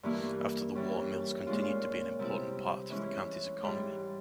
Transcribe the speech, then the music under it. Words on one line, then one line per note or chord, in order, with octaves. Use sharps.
After the war mills continued to be an important part of the county's economy.
G2 E3 A#3 E4
E3 G3 C#4
A#2 G#3 C#4 F4
C3 G3 C4 E4
E3 G#3 C#4 E4
G#2 E3 G3